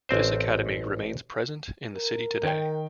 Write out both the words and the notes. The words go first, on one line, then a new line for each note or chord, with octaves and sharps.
This academy remains present in the city today.
A1 C4 C5
A#4
D#3 G5